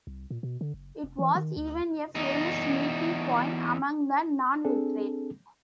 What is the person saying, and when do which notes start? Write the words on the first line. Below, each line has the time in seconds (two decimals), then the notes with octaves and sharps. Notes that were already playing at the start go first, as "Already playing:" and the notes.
It was even a famous meeting point among the non-literate.
0.07 C2
0.31 A#2
0.43 B2
0.61 D3
0.74 F#1
1.04 F1
1.19 E3
1.35 D#3
1.57 D2
2.15 E2 D#4
4.65 C4 D4 G#4 A4